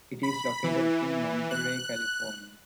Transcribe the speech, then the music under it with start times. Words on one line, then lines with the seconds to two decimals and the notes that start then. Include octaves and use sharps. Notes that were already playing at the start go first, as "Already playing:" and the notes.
It is located in Monterey, California.
0.23 B5
0.64 E3
1.50 F#6